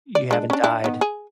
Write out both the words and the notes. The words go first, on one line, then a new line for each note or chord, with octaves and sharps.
You haven't died.
D5
G#3 D4
C#4 D4
D4 E4
D#3 B3
G#4